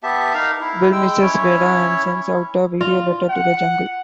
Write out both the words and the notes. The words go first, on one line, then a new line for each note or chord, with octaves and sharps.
Bel misses Weda and sends out a video letter to the jungle.
B3 G4 E5 A5
D#4 A#4 F5 A#5
E4
G#3 G5 E6
C#4 E4 C#5
F4
F#5